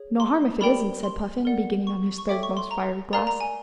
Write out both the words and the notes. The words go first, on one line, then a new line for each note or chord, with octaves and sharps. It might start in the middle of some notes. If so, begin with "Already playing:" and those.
"No harm if it isn't," said Puffin, beginning on his third most fiery glass.
Already playing: G#4 C#5
C6
G4 A#4 D5 G5 B5
C6
A#4 D5 F#5
C#6
C#6
A4 C#5 E5 G5 D6
C#6
C6
A#5
A#4 D5 F5 A#5
A#5
G#5